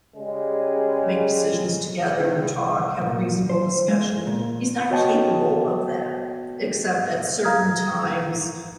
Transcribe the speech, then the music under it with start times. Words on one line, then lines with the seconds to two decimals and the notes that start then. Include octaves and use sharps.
make decisions together, talk, have a reasonable discussions, he's not capable of that except at certain times,
0.16 C#3 G3 G#3
2.20 D#3
2.42 C2
3.01 A#2
3.50 C5
3.88 G#3
4.27 A#2
4.90 B3 F#4 C#5 D#5 G5 A5
7.44 F5 A#5 D#6 F6 G#6